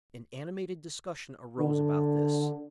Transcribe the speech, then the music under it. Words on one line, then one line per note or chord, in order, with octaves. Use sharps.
An animated discussion arose about this.
D3